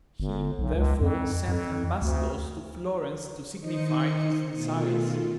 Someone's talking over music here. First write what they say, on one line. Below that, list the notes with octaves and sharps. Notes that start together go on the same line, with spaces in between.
He therefore sent ambassadors to Florence to signify his desires.
G1
B1
C#2
F2
F2
D2
D#3 D#4 C5 D#5 C#7
B2 D#3 A3 F4